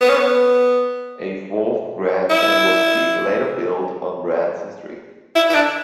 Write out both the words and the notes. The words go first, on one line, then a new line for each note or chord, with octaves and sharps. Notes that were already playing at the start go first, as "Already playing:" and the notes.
A fourth grandstand would be later built on Brandsen street.
B3
C#4
B3
E4
E4
E4
D4